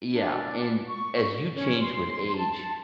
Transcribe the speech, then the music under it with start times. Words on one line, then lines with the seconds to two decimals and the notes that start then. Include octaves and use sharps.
Yeah, and as you change with age,
0.11 D4
0.86 C#6
1.55 C#4
1.79 C6
2.36 A5